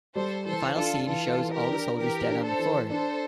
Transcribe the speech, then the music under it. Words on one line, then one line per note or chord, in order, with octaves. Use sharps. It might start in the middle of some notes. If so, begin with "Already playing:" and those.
The final scene shows all the soldiers dead on the floor.
G3 A4 C5
E3 A4 C5
D4 F4 A4
E3 F4 A4
E3
G4 A#4
D4
E3 G4 A#4
D4
A4 C5
E3
D4 A4 C5